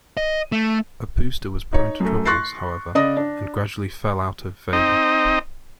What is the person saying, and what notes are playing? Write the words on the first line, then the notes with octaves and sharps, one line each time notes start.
A booster was prone to troubles, however, and gradually fell out of favor.
D#5
A3
D#4 C#5
F#2 A3
C6 C#6 F#6 A6 A#6 C7
C#3 D5 D#5 D#6 A#6
D4
C4 D#4 D#5